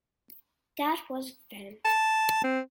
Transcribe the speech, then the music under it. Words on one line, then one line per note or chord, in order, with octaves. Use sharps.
That Was Then...
A5
C4